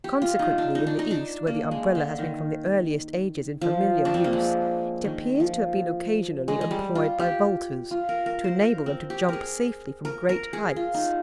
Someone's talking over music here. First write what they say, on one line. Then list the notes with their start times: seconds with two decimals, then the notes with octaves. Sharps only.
Consequently, in the East, where the Umbrella has been from the earliest ages in familiar use, it appears to have been occasionally employed by vaulters, to enable them to jump safely from great heights.
0.04 G4
0.22 F4
0.39 D#4
0.58 D4
0.75 D#4
0.87 D4
0.99 D#4
1.11 D4
1.47 A#3
1.71 G#3
1.95 D3
2.19 D#3
3.61 F3
4.05 D4
4.14 C4
4.24 A#3
4.33 G#3
5.04 D#3
5.40 F3
6.48 G#3
6.61 G#3
6.71 G3
6.95 F4
7.19 G4
7.91 F4
8.09 A#4
8.26 A#4
8.44 C5
8.61 A#4
8.86 C4
9.10 G4
9.29 G#4 A#4
10.05 A#4
10.29 A#4
10.53 G#4
10.76 F4
10.94 D#4